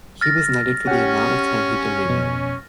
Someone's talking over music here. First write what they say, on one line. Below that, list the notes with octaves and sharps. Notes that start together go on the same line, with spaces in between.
He was knighted for the amount of time he donated.
F6 A6 A#6
C#4 G4 F#5
F2 B2